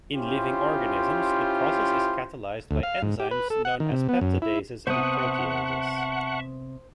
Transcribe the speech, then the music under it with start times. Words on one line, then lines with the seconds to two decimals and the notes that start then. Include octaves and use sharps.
In living organisms, the process is catalyzed by enzymes known as peptidases or proteases.
0.14 C#4 E4 F4 G4 C5
2.71 D2
2.83 F5
3.02 G#2
3.20 G4
3.31 B4
3.50 A4
3.65 F#5
3.80 D#3
3.92 C3
4.09 B3
4.21 F#2
4.42 E4
4.87 C3 B3 C5 E5 F#5 A5 C#6 D#6